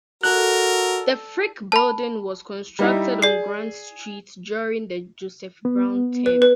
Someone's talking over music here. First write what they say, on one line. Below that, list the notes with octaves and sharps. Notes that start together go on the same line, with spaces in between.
The Frick Building was constructed on Grant Street during the Joseph Brown term.
F#4 A4 A#4 D5 F#6
A5 B5
G3 D#4 E4
G#4 D5 C7
B3
B4
B4